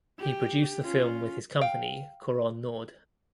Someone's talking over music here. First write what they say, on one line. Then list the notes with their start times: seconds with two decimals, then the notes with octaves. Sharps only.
He produced the film with his company Couronne Nord.
0.20 G4
0.83 C#4 F4
1.61 F5 G5